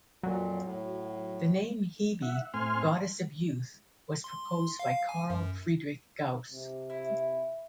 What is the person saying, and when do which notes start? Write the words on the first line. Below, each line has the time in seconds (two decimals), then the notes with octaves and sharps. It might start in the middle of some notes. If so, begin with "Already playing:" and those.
The name "Hebe", goddess of youth, was proposed by Carl Friedrich Gauss.
0.23 F2 A#2 F#3
0.65 A2
2.22 E5 F#5
2.54 A2 C4 G#5 C6 F6
4.24 C6
4.79 F5
5.09 G#5
5.30 F#2
6.52 C3
6.90 E4